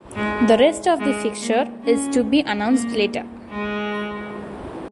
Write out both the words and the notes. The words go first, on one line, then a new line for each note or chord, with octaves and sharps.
The rest of the fixture is to be announced later.
G#3
G#3
A#3
C#4
A#3
G#3